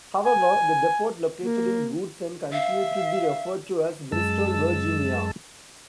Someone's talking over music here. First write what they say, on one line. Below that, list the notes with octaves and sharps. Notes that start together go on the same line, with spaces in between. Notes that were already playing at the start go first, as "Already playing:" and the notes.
However, the depot located in Goodson continued to be referred to as Bristol, Virginia.
G#5
A#3
E5 F5
F#2 G#3 A5 E6